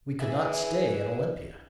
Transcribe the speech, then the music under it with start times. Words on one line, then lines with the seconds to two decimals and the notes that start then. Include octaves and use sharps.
We could not stay at Olympia.
0.21 D4 E4 G#4 B4 E5